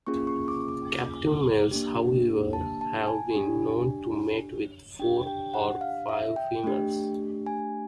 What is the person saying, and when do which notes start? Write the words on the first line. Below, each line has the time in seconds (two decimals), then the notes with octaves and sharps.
Captive males, however, have been known to mate with four or five females.
0.07 A#3 C#4 F4 G#4 C#6
0.27 C#6
0.48 D6
0.69 D6
1.71 A#3 D4 G4
2.53 A5
2.81 A5
3.07 G#5
3.35 D4 G4
4.99 D4 G4 G5
5.27 G5
5.54 F#5
5.81 F5
6.09 E5
6.36 G5
6.64 A3 D4 G4
7.46 G#5